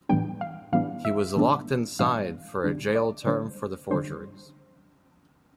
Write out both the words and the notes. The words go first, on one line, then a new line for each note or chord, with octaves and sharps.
He was locked inside for a jail term for the forgeries.
A2 E3 G3 B3 D4 G5
F5
A2 E3 G3 B3 D4 F5
E5
A2 E3 G3 B3 D4
A2 E3 G3 B3 D4 F5
D3 G3 D4
D5
D3 G3 D4 C5
D3 G3 D4 C5